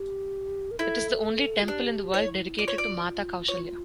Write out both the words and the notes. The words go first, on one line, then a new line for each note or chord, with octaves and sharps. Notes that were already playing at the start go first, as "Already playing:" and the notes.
It is the only temple in the world dedicated to Mata Kaushalya.
Already playing: G4
A#4
E4 A4
F4
D4 G4
E4 C#5
F4 D5
C#5
D5
F4 C#5